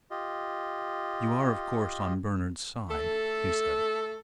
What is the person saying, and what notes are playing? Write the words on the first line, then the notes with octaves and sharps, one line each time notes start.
"You are, of course, on Bernard's side," he said.
F4 G4 D#5
A3 A4